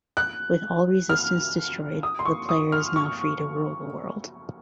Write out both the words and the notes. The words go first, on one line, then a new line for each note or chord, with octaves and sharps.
With all resistance destroyed, the player is now free to rule the world.
F#6
F6
D#6
C6
C#6
D#6
F6
C#6